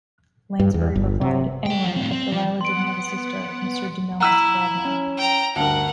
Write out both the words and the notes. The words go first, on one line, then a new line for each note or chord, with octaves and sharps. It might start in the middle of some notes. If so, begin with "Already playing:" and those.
Lansbury replied, Anyway, if Delilah didn't have a sister, Mr. DeMille has supplied one.
G2
E2
G1
C3
A4 G5
F3
A2 C4
C4
F3
B3 F#5 C6 D7
E4 F#5 A#5 E6 B6 D#7
C#4
G5 A#5
D2 G2 A#4 F#5 A5